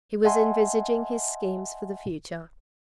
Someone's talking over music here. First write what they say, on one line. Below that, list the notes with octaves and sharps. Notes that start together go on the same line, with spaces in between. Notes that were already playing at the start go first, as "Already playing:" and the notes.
He was envisaging his schemes for the future.
D#5 E5 F#5 G#5 A5 C6